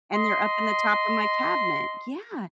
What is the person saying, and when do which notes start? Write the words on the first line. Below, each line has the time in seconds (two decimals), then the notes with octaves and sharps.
and they're up in the top of my cabinet, yeah
0.14 D#5 C6